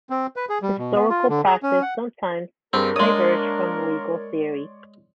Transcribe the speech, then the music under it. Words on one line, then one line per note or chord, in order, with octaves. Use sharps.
Historical practice sometimes diverged from legal theory.
C4
B4
G#4
G3
B2
B3
F4
D3
G#4
C#4
F#5
G2 A#3 C4 D4 G4 G#4 A#4
G#3 C#5 D5 C6 D#6